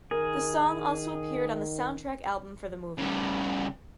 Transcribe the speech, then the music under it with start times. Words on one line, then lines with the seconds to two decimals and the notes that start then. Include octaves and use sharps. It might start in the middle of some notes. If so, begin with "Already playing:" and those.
The song also appeared on the soundtrack album for the movie.
0.11 D#3 G#4 A#4
2.98 C#3 G3